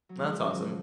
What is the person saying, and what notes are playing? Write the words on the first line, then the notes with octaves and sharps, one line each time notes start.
That's awesome.
F#3
F3 G#3
C#3
D#3 F#3
F3